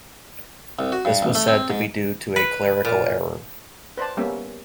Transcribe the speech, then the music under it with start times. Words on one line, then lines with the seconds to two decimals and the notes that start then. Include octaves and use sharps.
This was said to be due to a "clerical error".
0.79 C2
0.92 F#4
1.05 G2
1.22 A1
1.35 A3
1.48 C4
1.70 G#2
2.36 B4
2.85 A#2
3.97 B4 C5 D5 A5
4.17 G3 A#3 B3 C#4 E5